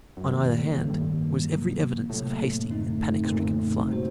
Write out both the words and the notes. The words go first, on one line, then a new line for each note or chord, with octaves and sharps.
On either hand was every evidence of hasty and panic-stricken flight.
F#2
G2 D#3 G3 A#3
G2
A2
A2
G2 D#3 G3 A#3
C3 F#3 A#3
A2 C3 F#3 A#3
F#2 D3 A3 C4 D#4
C3
F#2 A#2 D3 A3 C4 D#4
A2 C3 G3 A#3 F#4 C5